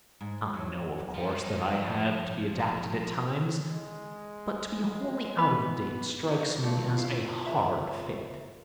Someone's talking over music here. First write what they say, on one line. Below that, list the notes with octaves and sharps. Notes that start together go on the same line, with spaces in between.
"I know, of course, that I have to be adapted at times; but to be wholly out of date strikes me as a hard fate."
G#2
F#3
F3 D#4
G#3
B3 B4 B5
C3 F#3 A#3
G2 A#2 A3
E4 F5
C#2 G#3 E5 A#5